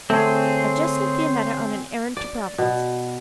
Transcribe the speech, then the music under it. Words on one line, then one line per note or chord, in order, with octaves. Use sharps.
I have just sent Fiametta on an errand to Providence.
D3 A3 C4 G#4 C#5 C6
D5
B2